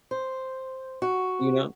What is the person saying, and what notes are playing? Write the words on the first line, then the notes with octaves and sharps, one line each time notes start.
you know?
C5
F#4